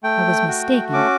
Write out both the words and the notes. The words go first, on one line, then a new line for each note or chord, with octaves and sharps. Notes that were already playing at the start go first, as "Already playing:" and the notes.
I was mistaken.
A3 G5
F#4
C#4 D6